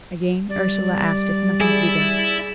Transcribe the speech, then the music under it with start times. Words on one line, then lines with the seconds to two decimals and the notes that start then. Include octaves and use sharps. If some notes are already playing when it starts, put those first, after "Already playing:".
Again Ursula asked if nothing could be done.
0.50 G3 D5
1.61 E4 G#4